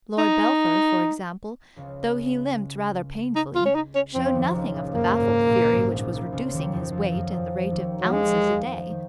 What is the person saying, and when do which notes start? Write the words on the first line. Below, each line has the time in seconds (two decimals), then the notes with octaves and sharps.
Lord Belpher, for example, though he limped rather painfully, showed nothing of the baffled fury which was reducing his weight at the rate of ounces a day.
0.18 D#4
1.76 C#2 C#3
3.35 D#4
3.55 F4
3.65 C#4
3.75 D#4
3.95 C#4
4.15 F2 F3 C4
4.34 D#2 D#3
4.54 C#2 C#3
4.74 A#1 A#2
4.94 F#2 A#3
5.20 G#1 G#2
5.47 A#1 A#2
5.73 G#1 G#2
5.93 A#1 A#2
6.12 C2 C3
6.33 C#2 C#3
6.53 D#2 D#3
6.73 F2 F3
6.92 F2 F3
7.12 F#2 F#3
7.31 F2 F3
7.71 D#2 D#3
8.01 F3 F#3
8.11 D#2 D#3 G#3
8.50 F2 F3
8.90 D#3